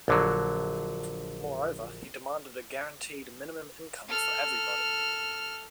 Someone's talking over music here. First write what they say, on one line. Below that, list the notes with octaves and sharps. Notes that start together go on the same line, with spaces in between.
Moreover, he demanded a guaranteed minimum income for everybody.
A#1 D3 F#3
A4 F6